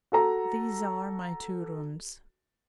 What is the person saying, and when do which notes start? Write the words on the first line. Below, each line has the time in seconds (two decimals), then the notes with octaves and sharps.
These are my two rooms.
0.12 F#4 A4 A#5